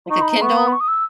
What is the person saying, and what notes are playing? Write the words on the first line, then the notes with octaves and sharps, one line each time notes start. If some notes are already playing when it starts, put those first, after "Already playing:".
Like a Kindle?
D#4 C#6
B5
A#5
B3 C#6
D#6
B5
C#6
D#6
E6